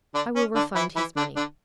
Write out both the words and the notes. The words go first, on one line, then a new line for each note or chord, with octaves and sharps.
I will refund his money.
D3 D4
C#4
D3 D4
E3 E4
E3 E4
D3 D4
D3 D4